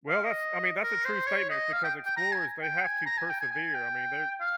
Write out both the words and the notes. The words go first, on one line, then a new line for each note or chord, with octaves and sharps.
Well, that's I mean, that's a true statement because explorers, they have to persevere, I mean, they're
F5
D#5
A#4
C5
C#5
D#5
F5
G5
G5
A#5
G#5
G5
G#5
A#5
G#5
G5
G#5
G#5
G5
F5